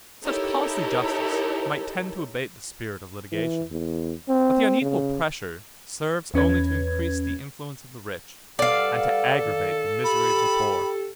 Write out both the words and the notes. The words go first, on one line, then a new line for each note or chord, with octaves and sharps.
Such costly justice might tend to abate the spirit of litigation, but the unequal pressure serves only to increase the influence of the rich, and to aggravate the misery of the poor.
D#4 E4 G4 A4 A#4 C#5
E3
E2
C4
C#3
E2 C#4 B4 G#6
G3 A4 B4 D5 F5 F#5
D#3
G4 B5